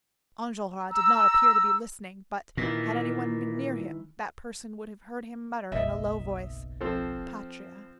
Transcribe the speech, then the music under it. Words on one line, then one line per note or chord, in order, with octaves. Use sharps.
Enjolras did not appear to be listening, but had any one been near him, that person would have heard him mutter in a low voice: "Patria."
A#5 E6
A#2 D#3 E3
F#1 B1 D#5 E5
F3 C4 A4